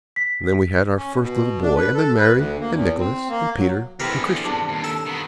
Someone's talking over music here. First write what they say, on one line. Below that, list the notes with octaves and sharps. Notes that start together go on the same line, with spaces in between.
And then we had our first little boy, and then Mary, and Nicholas, and Peter, and Christian.'
B6
C#4
B2
D4
B4
A4
B4
D2
A#3
E2
C4
A#3
F#3
E2 D3 C4 E4 G4 A#4 B4
E4 G#4
G2 D4 D5
D#2 G#2
A4 A5
D#3 B3